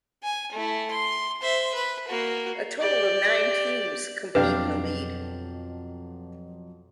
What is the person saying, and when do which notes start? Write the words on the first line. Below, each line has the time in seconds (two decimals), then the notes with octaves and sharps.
A total of nine teams compete in the league.
0.23 G#5
0.52 A3 E4
0.91 C6
1.42 C5 E5
1.74 B4
2.08 A#3 F#4
2.80 G4 D5
4.35 F2 B2 F#3 D4 G4 B4 F5